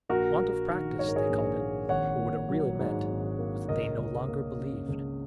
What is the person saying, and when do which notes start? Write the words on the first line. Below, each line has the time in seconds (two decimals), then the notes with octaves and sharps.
Want of practice, they called it; but what it really meant was that they no longer believed.
0.09 A#1 F#4 A#4
0.40 A#3
0.69 D#3
0.99 G#2 C#5
1.08 A#4
1.16 G#4 C#5
1.29 A#1
1.60 A#3
1.89 G#1 C#5 F#5
2.19 A#3
2.49 F#3
2.79 G#2
3.09 G#1
3.39 A#3
3.68 C#2 A#4 D#5
3.99 C#2
4.28 A#3
4.58 C#3
4.89 C#2